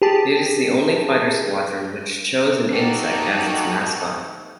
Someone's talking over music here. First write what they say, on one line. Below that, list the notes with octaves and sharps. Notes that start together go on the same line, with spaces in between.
It is the only fighter squadron which chose an insect as its mascot.
G4 G#4 A5
A#3 D#4 F#4 G4 A4